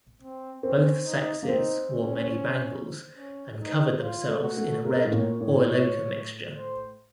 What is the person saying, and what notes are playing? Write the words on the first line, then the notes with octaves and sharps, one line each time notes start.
Both sexes wore many bangles, and covered themselves in a red oil-ochre mixture.
C4
C4 C#4
C4
D#4
A#3
C4 D#4
C#4
C#4
D#4
F4
A3
F#4
A3
C#3 A#4
A2
A#2 C#5
A2 C#5
C5